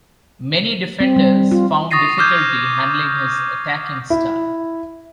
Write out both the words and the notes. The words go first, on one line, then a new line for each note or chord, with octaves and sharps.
Many defenders found difficulty handling his attacking style.
C4
G3
F4
C#6 D#6 A6 A#6 C7 D#7
D6 F6 G6 G#6
E4